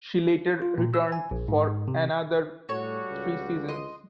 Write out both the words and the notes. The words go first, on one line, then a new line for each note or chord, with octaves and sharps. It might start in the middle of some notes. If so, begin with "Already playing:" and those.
She later returned for another three seasons.
F4
A#2
E6
G#5
A#1
G#2
C3
A2 G3 F#4 A4 C#5
C#2
D#5 C6